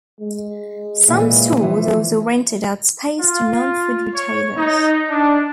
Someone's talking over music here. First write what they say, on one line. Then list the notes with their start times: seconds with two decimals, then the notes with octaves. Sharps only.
Some stores also rented out space to non food retailers.
0.20 G#3
1.08 A#2 E3
1.60 E3 F3
3.21 F4
4.14 C#5
4.58 D#4
5.10 D4